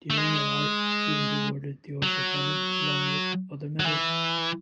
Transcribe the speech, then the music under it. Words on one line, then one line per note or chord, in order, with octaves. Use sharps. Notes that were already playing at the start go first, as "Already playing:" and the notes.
During her life she was awarded the Order of Lenin along with other medals.
A3
G#3
F#3
F#3
E3